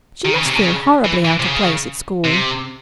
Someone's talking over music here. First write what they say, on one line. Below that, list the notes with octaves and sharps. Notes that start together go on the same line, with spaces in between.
She must feel horribly out of place at school.
D#3
C#3
C3
C#3
E3
E3
C3
C#3
C3